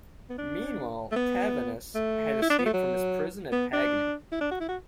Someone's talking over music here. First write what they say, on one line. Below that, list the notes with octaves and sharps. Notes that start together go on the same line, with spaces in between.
Meanwhile, Tavannes had escaped from his prison at Pagny.
B3
D4
A3
B3
A3
E4
D4
B3
A3
F#3
B3
D4
E4
D4
F#4
E4
F#4